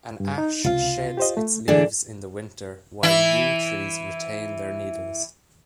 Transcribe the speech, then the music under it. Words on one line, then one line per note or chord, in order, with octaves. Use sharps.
An ash sheds its leaves in the winter, while yew trees retain their needles.
G2
D#4
C#2 C3 F4 F5
G4 C5 D#5
A3
D3 E3 D4 G#4
E3 E4